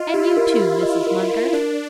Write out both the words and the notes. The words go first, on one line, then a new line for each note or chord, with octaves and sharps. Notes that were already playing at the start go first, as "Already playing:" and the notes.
And you too, Mrs. Munger.
Already playing: F4 D#5
E4 G4
A#4
G4
D#5
A#4
A#4
D4 A#4